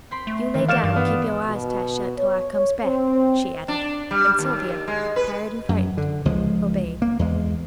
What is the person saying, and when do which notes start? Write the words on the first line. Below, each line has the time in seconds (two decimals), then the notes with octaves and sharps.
"You lay down and keep your eyes tight shut till I comes back," she added, and Sylvia, tired and frightened, obeyed.
0.11 C4 B5 C6
0.27 A3
0.54 D#3 E3
0.69 G4 C#5 D5 F5 F6 E7
0.83 G2
0.96 B3
1.46 B2
2.18 C#5
2.83 C4
3.68 D4
4.11 G3
4.39 D#2
4.88 G#3
5.16 B4
5.69 F#2
5.97 D3
6.25 C#2 F3 G#3
7.02 A#3
7.19 E2 G#3